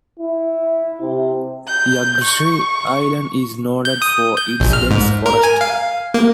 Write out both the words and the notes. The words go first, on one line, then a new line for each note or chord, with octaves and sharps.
Yagishiri Island is noted for its dense forest.
E4
C3
G6
C#6
G6
D#6
G6
A#1
F6
G#2
A#4
G#5
F5
A#3